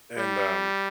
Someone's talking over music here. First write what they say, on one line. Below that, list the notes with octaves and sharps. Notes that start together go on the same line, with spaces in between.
and, um,
G3